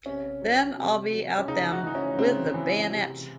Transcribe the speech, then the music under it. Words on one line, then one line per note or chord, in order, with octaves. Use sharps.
Then I'll be at them with the bayonet.
C3 C#4
F#3
C3
F#3
C#4
C#3 D#4
F#4
E3 D#4
C#4
C#3 C4
E3
C3